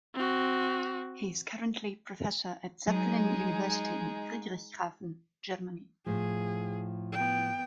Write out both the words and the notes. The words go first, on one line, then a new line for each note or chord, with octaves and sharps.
He is currently professor at Zeppelin University in Friedrichshafen, Germany.
C4 F#4
F#3 G#3 D#4
A2 F3 G#4
B3 G5